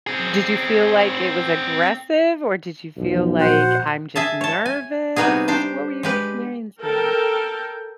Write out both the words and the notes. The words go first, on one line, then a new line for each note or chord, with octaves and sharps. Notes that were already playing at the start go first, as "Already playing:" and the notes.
Did you feel like it was aggressive or did you feel like I'm just nervous? What were you experiencing?
C4 G#4
B1 E2 F3
A#1 F#4 C5 F#5
G#4 E5 A5
C#5 A5
G#5
C3 G3 B3 D#4 F#4 G#4
D4 G4 C5
G#3 G4 B4
A4 A#4 G5